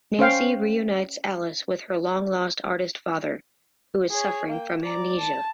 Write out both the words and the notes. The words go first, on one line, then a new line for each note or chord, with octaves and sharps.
Nancy reunites Alice with her long-lost artist father, who is suffering from amnesia.
C#4 C5 F5 G5
G#4 C#5
A#3 G5
D5 A#5
A5